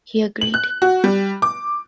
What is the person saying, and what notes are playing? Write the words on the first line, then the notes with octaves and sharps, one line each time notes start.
He agreed.
F#7
F#6
F#4
G3
D6